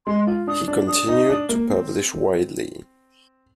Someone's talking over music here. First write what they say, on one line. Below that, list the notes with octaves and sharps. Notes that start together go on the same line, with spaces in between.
He continued to publish widely.
G#3 C6
F4
D4 D#6
D4
D4 D#6
D#4
D4
A#3
C4